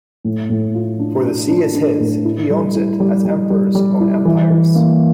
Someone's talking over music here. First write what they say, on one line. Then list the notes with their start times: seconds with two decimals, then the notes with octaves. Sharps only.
For the sea is his; he owns it, as Emperors own empires.
0.24 A2
0.50 A2
0.75 F4
0.99 D4
1.25 D4
1.50 D4
1.75 D4
2.00 A2
2.25 E4
2.50 G3
2.75 E4
3.00 G3
3.25 G3
3.50 G3
3.75 G3
4.00 E4
4.25 E3
4.50 E3
4.75 A#3